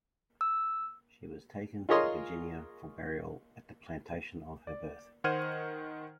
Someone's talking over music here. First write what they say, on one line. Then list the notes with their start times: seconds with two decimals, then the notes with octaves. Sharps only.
She was taken to Virginia for burial at the plantation of her birth.
0.41 E6
1.89 F4 G#4 A#4 C#5 D#5 C6
4.67 D5
5.24 D#3 C5 F#5 F6 G#6 D#7